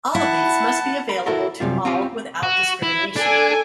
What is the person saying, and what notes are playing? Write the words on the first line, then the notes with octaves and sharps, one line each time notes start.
All of these must be available to all without discrimination.
E4 F#5 A5
A#4 B5
E4 F#4 A4 A#4
F#2 C3 G3 F4
C4 C#4 F4 G4
F#4
E4
D4 A4 G#5